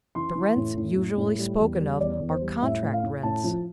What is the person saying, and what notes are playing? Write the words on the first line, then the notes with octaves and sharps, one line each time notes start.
The rents usually spoken of are contract rents.
E3 C6
E3
A2
A2
A2
A2
G3
E2
G3
E2 D5
E2
C5
G3
A2 E5
A2
F5
A2
A2 A5
F3